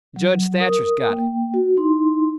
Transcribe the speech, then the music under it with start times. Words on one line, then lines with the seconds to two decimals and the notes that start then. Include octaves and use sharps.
Judge Thatcher's got it.
0.16 F#3
0.60 A#4 D#6
1.08 A#3 G5
1.54 F#4
1.77 D#4 E4 C6